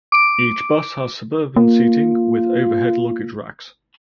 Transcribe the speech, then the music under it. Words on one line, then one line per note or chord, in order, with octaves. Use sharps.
Each bus has suburban seating with overhead luggage racks.
D6 D7
A#3 F4